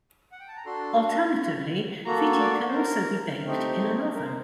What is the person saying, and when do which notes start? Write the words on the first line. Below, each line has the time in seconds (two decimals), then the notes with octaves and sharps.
Alternatively, phitti can also be baked in an oven.
0.32 F#5
0.40 G5
0.48 A5
0.57 A#5
0.66 D4 F#4 A4 C6
2.05 A#3 F#4 A4 A#5
2.40 D5
2.68 C5
2.75 A#4
3.45 A3 C4 D#4 G4
4.15 A#4
4.24 C5